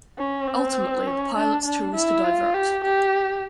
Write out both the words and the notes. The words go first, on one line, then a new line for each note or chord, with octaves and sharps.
Ultimately the pilots chose to divert.
C#4
C4
C#4
D4
D4
E4
F4
G4
G4